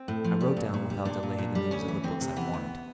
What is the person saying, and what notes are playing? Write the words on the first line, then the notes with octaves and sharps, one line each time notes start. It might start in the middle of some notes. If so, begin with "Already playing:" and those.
I wrote down without delay the names of the books I wanted.
Already playing: C4
A2
F3
G3 D4
A#2
A#2
G3
A#2 D4
A#2
A#2
G3
D2 C#4
E3
D2 C4
C3
E3 B3
D2